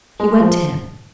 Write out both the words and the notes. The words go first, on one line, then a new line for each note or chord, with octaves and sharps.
He went to him.
G#3
F3